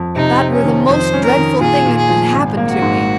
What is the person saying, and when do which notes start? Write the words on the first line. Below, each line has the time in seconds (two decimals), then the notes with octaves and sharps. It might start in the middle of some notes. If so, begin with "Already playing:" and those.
That were the most dreadful thing that could happen to me.
Already playing: F2
0.16 C3 D#4
0.40 C4
0.52 C#4
0.64 D#3
0.88 F2 C5
1.13 C#4
1.25 A#4
1.37 D#3
1.61 A#2 G#4
1.86 A#2
1.97 G#4
2.09 F3
2.34 G#1
2.57 A#3
2.70 F#4
2.82 G#2